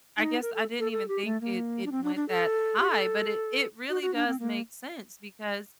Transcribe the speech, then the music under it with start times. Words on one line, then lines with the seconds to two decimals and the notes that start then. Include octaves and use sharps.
I guess I didn't even think it it went that high but it it really does make sense because,
0.18 D#4
0.42 A#4
0.54 A4
0.80 A4
0.92 A4
1.08 G4
1.25 A3
1.41 A#3
1.86 D4
1.92 C4
2.04 D4
2.16 D4
2.29 A4
2.80 G4
2.90 A4
3.90 F#4
4.02 F#4
4.15 D4
4.27 C4
4.40 A#3